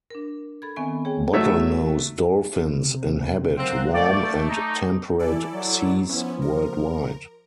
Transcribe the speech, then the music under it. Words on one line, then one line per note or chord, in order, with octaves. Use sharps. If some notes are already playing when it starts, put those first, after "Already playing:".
Bottlenose dolphins inhabit warm and temperate seas worldwide.
D4 A#4
A4 B5 G#6
D#3 B3 C4 E5 G#5 C#6
G#4 C#5 G5
F#3 A3 C#5 D#5 E5
C3
F#3 C4 A#4 F5 A#5 F#6
A3 D5 C#6 D6 G6
D#4 D#5
E3 E4 A4 D5
F#3
F3 B3 C#4 E4
A#4